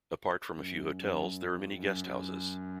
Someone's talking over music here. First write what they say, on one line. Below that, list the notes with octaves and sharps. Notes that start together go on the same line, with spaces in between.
Apart from a few hotels, there are many guest houses.
F#2
F#2
F2
F#2
F#2